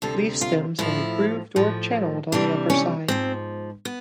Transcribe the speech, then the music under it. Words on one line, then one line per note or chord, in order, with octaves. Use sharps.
Leaf stems are grooved or channeled on the upper side.
D2 C3 F3 A4
F4
A2 F3 E4
A2 F3
D2 C3 E3 G3 D4
C#4
G#2 F3 C4
B3